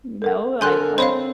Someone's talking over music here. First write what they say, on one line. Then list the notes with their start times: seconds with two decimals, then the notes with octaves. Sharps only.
you know, I like,
0.22 A4 A#4 F#5
0.61 D3 A#4 G#5 C6 F#6 G6
0.98 C4 C5 C#5 D#5 F5 B5 C6